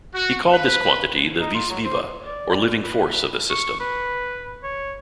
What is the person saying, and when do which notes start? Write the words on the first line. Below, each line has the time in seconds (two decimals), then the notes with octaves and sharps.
He called this quantity the "vis viva" or "living force" of the system.
0.15 F#4
0.52 B4
1.40 D#4
1.54 F4
1.70 F#3
1.84 C5
2.24 D5
2.84 B4
3.50 C#6
3.80 B4
4.63 C#5